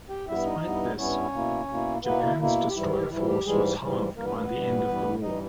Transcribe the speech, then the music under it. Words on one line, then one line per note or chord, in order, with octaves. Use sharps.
Despite this, Japan's destroyer force was halved by the end of the war.
G4 G5
G2 G3 B3 E4 E5
D#4 D#5
G2 G3 B3 E4
G2 G3 B3 C#4 E4 C#5
B2 A#3 E4
B2 A#3 E4
B2 A#3 B3 E4 B4
E4
B2 A#3 E4
G4
G#2 E3 G3 E4
G4
G#2 E3 G3 E4
G4
G#2 E3 G3 G#3 G#4
G#2 E3 G3
G2 E3 G3 A#3 A#4
B3 B4
A#3 A#4
B3 B4
G2 E3 G3
G2 E3 G3
G2 E3 G3 D#4 D#5